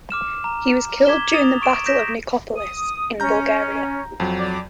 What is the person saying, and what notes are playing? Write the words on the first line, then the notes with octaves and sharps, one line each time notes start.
He was killed during the battle of Nicopolis, in Bulgaria.
D6 F6 E7
A#5
D6 G#6 B6 E7 G7
D#6 A6 F7
C#6 D7 E7
G6 A#6 B6 E7
D#6
C#4 A#5 G6
F2 F#3
D5 D6